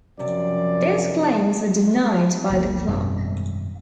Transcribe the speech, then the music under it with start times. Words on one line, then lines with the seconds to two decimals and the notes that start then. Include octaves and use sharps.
Those claims were denied by the club.
0.19 F#2 C3 F3 D5
2.50 G1 D2 F3 A#3
2.89 G#1 F#2 B2 G3